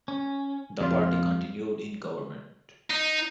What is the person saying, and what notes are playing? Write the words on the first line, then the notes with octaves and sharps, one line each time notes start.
The party continued in government.
C#4
F2 F4
D#4